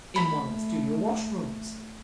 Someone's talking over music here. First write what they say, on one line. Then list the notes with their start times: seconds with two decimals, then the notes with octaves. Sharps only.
"In one of the studio washrooms."
0.16 A3 B5